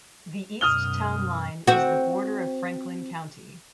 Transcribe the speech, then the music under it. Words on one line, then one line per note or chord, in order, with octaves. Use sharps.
The east town line is the border of Franklin County.
F#2 B2 D#6 F6 G7
C4 F#4